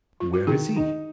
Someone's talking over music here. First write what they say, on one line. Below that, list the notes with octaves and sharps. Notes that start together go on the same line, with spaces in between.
"Where is he?"
F4
F#4
D#3 G#4
D#4